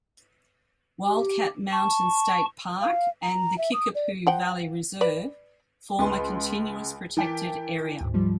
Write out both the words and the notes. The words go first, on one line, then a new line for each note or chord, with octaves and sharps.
Wildcat Mountain State Park and the Kickapoo Valley Reserve form a continuous protected area.
G4
A5 C#6
F5
A#5
E5
D#6
D5
F3 F#5 G5
B4 D5
C#2 B4 C6
E3 A#4 G5 A5 D6 B6
D2 G#2
G#2 F3 G3